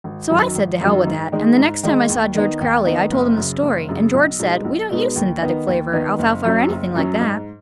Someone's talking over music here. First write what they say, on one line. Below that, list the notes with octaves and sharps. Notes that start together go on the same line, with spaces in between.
So I said to hell with that and the next time I saw George Crowley I told him the story and George said, "We don't use synthetic flavor, alfalfa or anything like that."
G#1
F#2 D#3 F#3
G#1
F#2 D#3 F#3
G#2
D#3 G#3 D#4
G#2
D#3 G#3 D#4
D#2
D#3 B3 D#4
D#2
D#3 B3 D#4
F#1
F#2 C#3
F#1
F#2 C#3
B1
B2 G#3 B3 D#4
B1
B2 G#3 B3 D#4
D#2
D#3 B3 D#4
D#2
D#3 B3 D#4
F#1
F#2 F#3 C#4
F#1
F#2 F#3 C#4
G#2